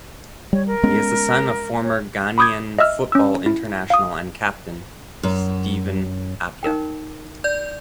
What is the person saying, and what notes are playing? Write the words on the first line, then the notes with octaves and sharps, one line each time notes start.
He is the son of former Ghanaian football international and captain Stephen Appiah.
G3 C#5
A#4
G#3 B3 C#4
C#5
B5 D6 D#6 G6 G#6
D#5 E5 E6 F6
C#4 E6
E4
F5 D#6
F#2
D#4 A#4 G5
D5 G6